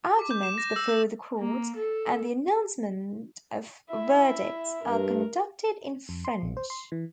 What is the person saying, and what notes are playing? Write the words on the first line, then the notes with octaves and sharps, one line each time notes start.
Arguments before the courts, and the announcement of verdicts, are conducted in French.
D6
G6
E7
A#6
E6
G6
A#3
A4
E4 E5
G2 A#4
F2
C6
A#1
C5
C6
E3